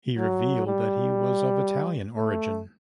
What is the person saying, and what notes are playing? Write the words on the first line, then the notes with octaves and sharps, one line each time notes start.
He revealed that he was of Italian origin.
F#3
G3
A3